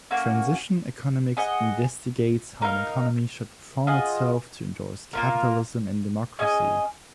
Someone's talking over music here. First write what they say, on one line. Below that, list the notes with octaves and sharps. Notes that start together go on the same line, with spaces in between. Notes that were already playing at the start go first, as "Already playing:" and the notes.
Transition economics investigates how an economy should reform itself to endorse capitalism and democracy.
A#3 C#4 F#4
G#4 D#5 F#5
D#4 A#4 F5
F4 G#4 D#5 F#5
A#3 F4 A#4
C#4 G#4 D#5 G#5